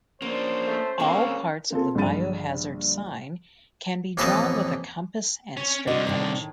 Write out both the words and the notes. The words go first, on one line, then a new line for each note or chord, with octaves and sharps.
All parts of the biohazard sign can be drawn with a compass and straightedge.
A#3 C#4 D4 C5
A3
G#3 A#3 C4 C#4 A4 B4
A#3 C4 F4 G#4 A4
A#1 G2 D3 B5 A6 D#7
A1 F2 A#3 A4 B4 D#5
C#4 C#5
C2 D3 D4 F#4 D#5
A2 D#3